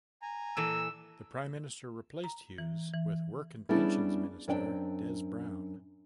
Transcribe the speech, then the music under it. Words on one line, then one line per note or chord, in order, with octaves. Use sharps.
The prime minister replaced Hughes with Work and Pensions Minister Des Browne.
G#5 A#5
A#2 E3 A4 E6
A#5
E3
E3
G3 B3 C#4 D4 E4 G#4
F#2 C4 D4 G5